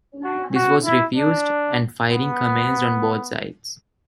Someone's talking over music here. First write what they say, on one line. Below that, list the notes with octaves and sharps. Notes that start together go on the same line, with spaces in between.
This was refused, and firing commenced on both sides.
F#4
F#4
E4
D4
B3